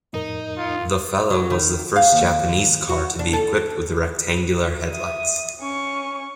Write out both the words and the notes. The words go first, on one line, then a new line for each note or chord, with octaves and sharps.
The Fellow was the first Japanese car to be equipped with rectangular headlights.
F2 A2 D#4 A#4
F4
F#3
D#3
F5
D#2
F#4
D4
A4
E5 D#6
C#4 C#6